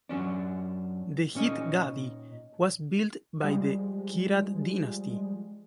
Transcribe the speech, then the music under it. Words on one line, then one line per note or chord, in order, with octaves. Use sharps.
The Jit Gadhi was built by the Kirat dynasty.
F#2 F#3 C#4 D4
A#2 C#4 D#4
F3 G3 G#3